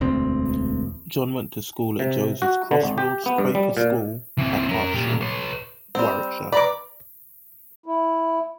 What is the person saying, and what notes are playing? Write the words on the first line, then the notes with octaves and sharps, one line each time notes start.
John went to school at Joseph Crosfields Quaker School at Hartshill, Warwickshire.
E1 D2 C4
C3
F#4
D3
G#1
G4
B3
G2
G3
A#2
E3 C4
C#4 A#4
A#2 G4
B4 C#5
G3 C4
B4 D5 A#5 D6
E4